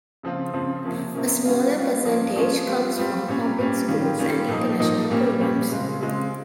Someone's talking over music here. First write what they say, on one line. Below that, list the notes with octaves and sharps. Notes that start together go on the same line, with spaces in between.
A smaller percentage comes from public schools and international programs.
C#3 F3 C4 F4
C#3 F3 C4 F4
C3 F3 A#3 C#4
C3 F3 A#3 C#4
G3 C#4 F4
G3 C#4 F4
F3 A#3 C#4 F4
F3 A#3 C#4 F4
G3 C4 F4
G3 C4 F4
A#2 G3 C#4
A#2 G3 C#4
D#3 G3 C#4 F4
D#3 G3 C#4 F4
A#2 F3 A#3 D#4
A#2 F3 A#3 D#4
A#2 G3 A#3 C#4
A#2 G3 A#3 C#4
C#3 G#3 C4 F4
C#3 G#3 C4 F4